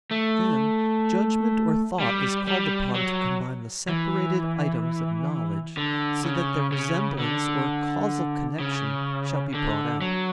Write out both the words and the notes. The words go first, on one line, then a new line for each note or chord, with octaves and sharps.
Then judgment or thought is called upon to combine the separated items of "knowledge" so that their resemblance or causal connection shall be brought out.
A3
G3
G3
F#3
E3
D3
C#3
C#3
D3
C#3
D3
F#3